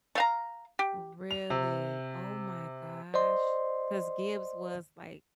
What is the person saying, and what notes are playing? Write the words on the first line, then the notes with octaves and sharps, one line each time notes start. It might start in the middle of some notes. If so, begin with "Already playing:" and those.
Really? Oh my gosh. 'Cause Gibbs was, like,
A3 F5 A#5
G4
F7
C3
C5 D5 D#5 C6